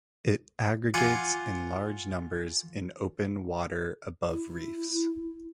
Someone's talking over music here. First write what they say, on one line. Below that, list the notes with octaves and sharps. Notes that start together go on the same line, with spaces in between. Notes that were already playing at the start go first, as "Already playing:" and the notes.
It aggregates in large numbers in open water above reefs.
F4 F#5 G#5 D6
E4